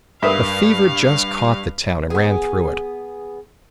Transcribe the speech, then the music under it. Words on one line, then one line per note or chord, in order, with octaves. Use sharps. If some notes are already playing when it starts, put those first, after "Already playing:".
The fever just caught the town and ran through it!
G2 A#4 B4 E5 F5 B5 D#6
B3 G#4